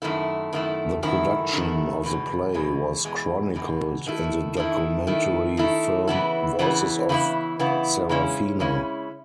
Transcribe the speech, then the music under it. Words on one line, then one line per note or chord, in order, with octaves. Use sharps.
The production of the play was chronicled in the documentary film "Voices of Sarafina!".
F#2 D#3 A3 E4
F#2 D#3 A3 E4
F#2 D#3 A3 E4
F#2 D#3 A3 E4
E2 B2 G#3
E2 B2 G#3
E2 B2 G#3
E2 B2 G#3
D#3 A3 E4
D#3 A3 E4
D#3 A3 E4
D#3 A3 E4
C#3 E3 B3 E4
C#3 E3 B3 E4
C#3 E3 B3 E4
C#3 E3 B3 E4
C#3 G#3 C#4 E4
C#3 G#3 C#4 E4